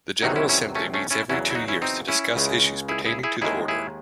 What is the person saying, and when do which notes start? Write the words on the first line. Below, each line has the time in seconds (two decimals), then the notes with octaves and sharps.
The General Assembly meets every two years to discuss issues pertaining to the Order.
0.22 E2 C3 D#3 F#3 D#4 F#4
0.36 C#4 E4
0.49 C#4 E4
0.75 A3 C#4
0.94 A3 C#4
1.11 C#4 E4
1.30 E2 C#3 F#3 C#4 E4
1.50 E4
1.55 D#4 F#4
1.68 C#4 E4
1.82 C4 D#4
2.08 C#4 E4
2.35 C#2 C#3 G#3
2.89 E4 G#4
3.06 E4 G#4
3.23 E4 G#4
3.41 D#2 D#3 G#3 E4 G#4
3.68 E4 G#4